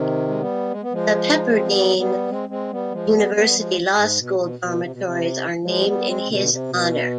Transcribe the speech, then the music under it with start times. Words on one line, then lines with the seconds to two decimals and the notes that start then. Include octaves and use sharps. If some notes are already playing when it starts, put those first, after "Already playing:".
The Pepperdine University Law School dormitories are named in his honor.
Already playing: C3 D#3
0.29 G#3
0.39 G3 B3
0.71 G#3
0.82 B3
0.92 F3 G#3
1.55 C4
1.65 G3 B3
1.97 G3 B3
2.28 G#3 C4
2.49 G#3 C4
2.70 G3 B3
2.91 F3 G#3
3.12 G3 B3
3.33 G3 B3
3.46 G3
3.55 F3 G#3
3.96 G#2
4.17 B2
4.38 B2
4.59 B2
4.81 C3
4.91 B2
5.02 C3
5.64 F3 G#3
5.81 C4
5.85 G3 B3
6.06 G#3 C4
6.28 B2 D3
6.38 D3
6.49 C3
6.69 B2